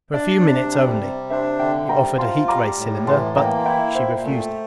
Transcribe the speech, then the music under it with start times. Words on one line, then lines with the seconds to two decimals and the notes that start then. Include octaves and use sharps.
"For a few minutes only." He proffered a heat ray cylinder but she refused it.
0.13 D4 D5
0.43 C3
0.72 G3
1.01 C3
1.30 D4 C5 E5
1.60 D3 E5 G5
1.89 G3 G5 A#5
2.18 F4 A5 C6
2.48 G3 A#5 D6
2.78 A2
3.07 E3 A5 C6
3.36 A#3 G5 A#5
3.66 E4 E5 G5
3.95 A#2 C5 E5
4.25 A3